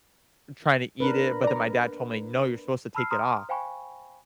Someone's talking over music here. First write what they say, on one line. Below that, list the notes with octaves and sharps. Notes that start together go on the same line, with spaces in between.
trying to eat it, but then my dad told me, "No, you're supposed to take it off."
D4 A#4 B4
D5 A#5
A5 B5 E6 F6 C7
A#5 C6 D#6 F6
C5 F5 G5 G#5 B5 C#6